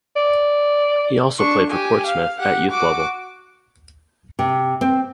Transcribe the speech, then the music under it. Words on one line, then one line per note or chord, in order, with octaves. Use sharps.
He also played for Portsmouth at youth level.
D5
D4 C#6
G4 G#5
F5
G4 F#5
F#4 D6
C3
C4